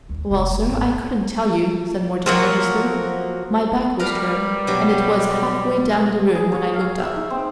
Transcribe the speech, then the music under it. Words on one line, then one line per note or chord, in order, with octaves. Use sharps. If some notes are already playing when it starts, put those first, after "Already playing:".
"Well, sir, I couldn't tell you," said Morton nervously; "my back was turned, and it was halfway down the room when I looked up."
D#2
F1
G#1
F3 F#3 A#3
G3 A#4 B4 F5
B2 F#3 G4
G#4
C#5
F5
E5
D#4
C4